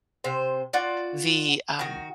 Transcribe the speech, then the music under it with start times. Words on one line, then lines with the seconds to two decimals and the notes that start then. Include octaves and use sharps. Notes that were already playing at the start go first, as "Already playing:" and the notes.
the, um,
0.24 C3 C5
0.73 F4 F#4 D5
1.79 D#3 F#4